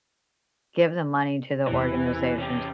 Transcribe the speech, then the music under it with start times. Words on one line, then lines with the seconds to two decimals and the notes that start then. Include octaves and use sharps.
give the money to the organizations
1.67 E2 C3 E3
2.38 C#4 G4